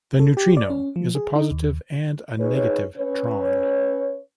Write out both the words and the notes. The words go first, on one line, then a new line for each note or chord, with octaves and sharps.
The neutrino is a positive and a negative tron.
A4
G4
D5
C#4
F3
G#4
D#4
D#2
D#4 G#4 B4 C#5
C#4 B4 C#5